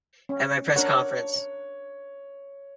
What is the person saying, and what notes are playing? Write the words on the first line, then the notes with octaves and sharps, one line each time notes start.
At my press conference.
C#4
D4 A#4 C#5 F#5